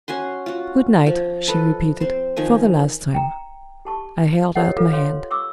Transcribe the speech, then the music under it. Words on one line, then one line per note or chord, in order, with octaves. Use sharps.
"Good-night," she repeated, "for the last time." I held out my hand.
C#4 F#4 G#5 C6
F4 F#4
F3
A4 B4 D#5
C4 C5
D#3 F3 G#5
G5 A#5
G4 A5 C#6
F4 G4 A#4 C#5 D#5 F#5
F4 A4 B4 F5
C#5 F5 C6
C#6 D6 E6